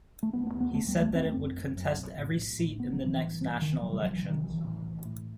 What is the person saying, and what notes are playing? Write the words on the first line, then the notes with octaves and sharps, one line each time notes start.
He said that it would contest every seat in the next national elections.
A3
E1 B3
B3
D#2
B3
E1 A3
G3
D#2
A3
F#1 C4
F#2
F#1
F#2
B1
A2
B1
A2
A1 B3
F#3
G2
E3
A1
G2
C2 D#3
E3
C3 F#3
G3
C2 F#3
E3
C3
D#3
B1 E3
A2
B1
A2